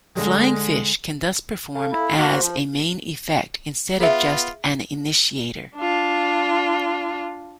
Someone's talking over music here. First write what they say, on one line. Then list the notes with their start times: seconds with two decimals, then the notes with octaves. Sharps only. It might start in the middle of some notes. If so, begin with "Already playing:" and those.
Flying fish can thus perform as a main effect instead of just an initiator.
0.15 D3 G#3
1.75 A4 F5
1.92 E4
2.18 A#3 F#4
2.29 C5
2.41 F3
4.00 B3 F4 G#4 E5
5.77 D4 F4